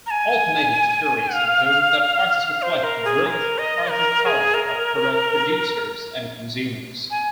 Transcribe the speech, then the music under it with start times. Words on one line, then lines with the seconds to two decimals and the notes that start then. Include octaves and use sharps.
Alternative theories include that prices reflect relative pricing power of producers and consumers.
0.06 A#5
0.10 G#5
1.35 F5
2.62 C5
2.84 A#4
3.05 G#4
3.26 C5
3.30 A#4
3.58 D#5
3.90 A#4
4.23 A#4
4.26 G#4
4.54 A#4
7.11 G#5